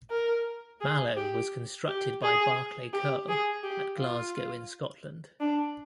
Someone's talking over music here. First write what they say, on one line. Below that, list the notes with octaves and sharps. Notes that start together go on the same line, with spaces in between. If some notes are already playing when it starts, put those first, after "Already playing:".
"Mallow" was constructed by Barclay Curle at Glasgow in Scotland.
A#4
G#4
G4
G4
G#4
G4
G#4
G4
F4
D4